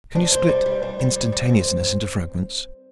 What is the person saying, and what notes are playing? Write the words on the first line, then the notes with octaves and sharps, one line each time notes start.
Can you split instantaneousness into fragments?
D4 C5
C4
G3 D5
G3
D5
G3 C5
G3
G3
G3
C4 C5